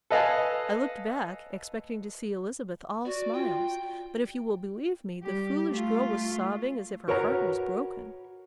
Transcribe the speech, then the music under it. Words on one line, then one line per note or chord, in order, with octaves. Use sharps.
I looked back, expecting to see Elizabeth all smiles, but if you will believe me the foolish girl was sobbing as if her heart was broken.
A4 B4 D#5 F5 G#5 A5
F#4 D5
F4 G5
G3 G4
A3 F4
F#4 A#4 B4 C#5 F#5 A#5